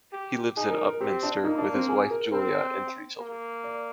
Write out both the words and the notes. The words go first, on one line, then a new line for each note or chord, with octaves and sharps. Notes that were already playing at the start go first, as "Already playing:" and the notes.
He lives in Upminster with his wife Julia and three children.
G4
D#4 G#4
A#4
A#4
C4 G4
D4
A#3 D#4
D4
C4
G#4
A#4
C4 A#4
A#3
D5